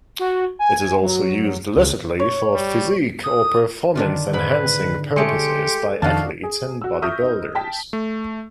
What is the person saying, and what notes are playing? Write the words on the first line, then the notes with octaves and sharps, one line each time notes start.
It is also used illicitly for physique- or performance-enhancing purposes by athletes and bodybuilders.
F#4
G#5
F#3
C#2
C#5
G3
D#6
D3 D#3 D4 F4
G#2 B4 B5
G#3 A3 G4 C#5 C6 C#7 D7
F2 D#3 D4 F#4 D#5 F5 A5
G#4
F#4 E6
E5 C#6 D#6 F6 G6 A#6
D#4
G5 A5 B6
A3